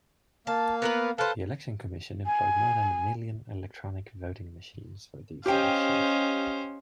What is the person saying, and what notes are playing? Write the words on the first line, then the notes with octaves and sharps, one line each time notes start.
The Election Commission employed more than a million electronic voting machines for these elections.
A#3 F5 A5
B3 A#4 B4
A4 B4 C5 F5 A5
G#5
C#4 G4 C5 D#5 F5 G5